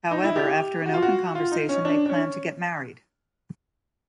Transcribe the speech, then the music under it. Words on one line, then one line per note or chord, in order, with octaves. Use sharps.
However, after an open conversation they plan to get married.
D#4
E4
G4
F#4
F4
F#4
F4
D#4
C#4
D4
D4
C#4